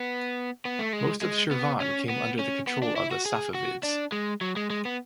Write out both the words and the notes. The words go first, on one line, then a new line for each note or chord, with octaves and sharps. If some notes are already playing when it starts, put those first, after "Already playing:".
Most of Shirvan came under the control of the Safavids.
Already playing: B3
B3
A3
G#3
G#3
B3
C#4
B3
C#4
B3
D4
E4
F#4
G#4
F#4
D4
G#3
F#3
G#3
G#3
B3